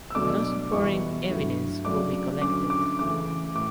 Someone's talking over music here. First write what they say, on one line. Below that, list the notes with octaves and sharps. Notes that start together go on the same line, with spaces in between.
No supporting evidence could be collected.
E6
B2 F#3 A3 D4 D6
E2 B2 G3 B3 E4 C#6
G2 F#3 A3 E4
C#3 F#3 A3 D4 D6
D2 D3 F#3 C#4 D6
D6
C#3 E3 A3 D6
A2 D6